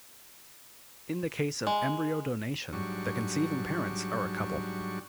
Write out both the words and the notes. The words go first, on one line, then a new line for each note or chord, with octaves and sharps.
In the case of embryo donation, the conceiving parents are a couple.
G#3
G#2 F#3 G3 D4 C#6